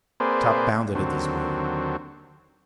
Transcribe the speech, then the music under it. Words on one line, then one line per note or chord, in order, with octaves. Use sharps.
Top bounded at these words.
A#3 C4 G#4 B4 C5 D5
D#2 D3 F#3 C4